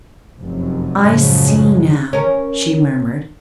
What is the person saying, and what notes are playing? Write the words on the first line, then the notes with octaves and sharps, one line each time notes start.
"I see now," she murmured.
F1 F#2 C3
F#2 A2 C#3 F3 F#3 G#3
C#4 A#4